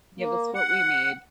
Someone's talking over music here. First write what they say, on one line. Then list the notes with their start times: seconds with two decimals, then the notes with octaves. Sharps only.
give us what we need.
0.18 A#3
0.54 F#5